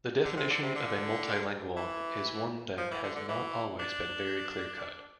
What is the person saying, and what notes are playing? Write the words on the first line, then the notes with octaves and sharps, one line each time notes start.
The definition of a multilingual is one that has not always been very clear-cut.
D3
C3
D3
C3
D3
E3
F3
E3
D3
D3
E3
D4